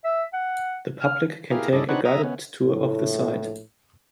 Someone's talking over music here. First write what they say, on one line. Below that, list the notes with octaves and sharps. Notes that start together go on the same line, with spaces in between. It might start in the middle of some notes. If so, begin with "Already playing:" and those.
The public can take a guided tour of the site.
E5
F#5
F6
E4 G4 G#4 A#4 F5
G2 C#4 E4 A4 D5 D#5
C4 D4 D#4 B4 C#5 F#5
E5 A#5 D#6
B3 C#4
A#1 A2